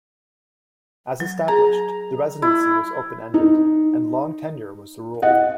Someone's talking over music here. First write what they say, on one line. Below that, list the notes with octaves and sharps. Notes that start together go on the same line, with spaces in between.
As established, the residency was open-ended, and long tenure was the rule.
F#3
G#4 A#5
E4
D#4
D#5 F#5